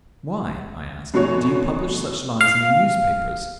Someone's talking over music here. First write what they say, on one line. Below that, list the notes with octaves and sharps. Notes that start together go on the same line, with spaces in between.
"Why," I asked, "do you publish such lies in your newspapers?"
F1 B2 A3 F#4 C#5
F5